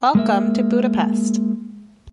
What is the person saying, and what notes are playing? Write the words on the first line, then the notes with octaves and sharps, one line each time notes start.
Welcome to Budapest!
G#3 A#3 E5